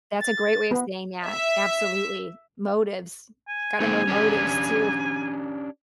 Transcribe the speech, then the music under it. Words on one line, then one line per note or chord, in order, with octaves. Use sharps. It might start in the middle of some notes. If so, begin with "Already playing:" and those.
That's a great way of saying that, absolutely, motives. Gotta know motives, too.
A6
B3
E5
G#5
A#3 C4 D#4
C#4 D4 G4